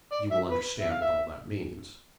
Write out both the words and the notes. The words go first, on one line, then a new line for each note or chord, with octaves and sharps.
You will understand what all that means.
D5
E5
B4
E5
F5
E5